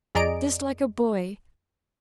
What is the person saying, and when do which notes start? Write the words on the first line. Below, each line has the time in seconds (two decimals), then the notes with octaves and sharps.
Just like a boy!
0.15 F2 G#4 D5 D#5 A#5 D7